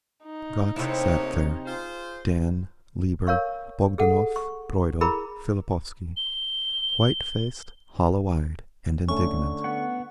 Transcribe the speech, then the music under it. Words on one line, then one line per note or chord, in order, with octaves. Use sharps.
Gotz sat there, Dan, Lieber, Bogdanov, Broido, Fillipovsky,--white-faced, hollow-eyed and indignant.
D#4
C3 A3 A#3 E4 C#5
F4 G#4 C5
A#4 C#5 F5 C#6
G#4 A4 F#5
C#6
E4 G#4 A#4 A#5 B5 D6
G7
D3 A3 C#4 C#6
B3 F#5